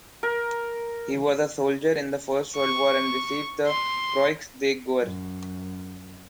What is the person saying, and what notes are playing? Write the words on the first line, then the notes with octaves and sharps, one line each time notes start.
He was a soldier in the first world war and received the Croix de guerre.
A#4
C#6
C6
F#2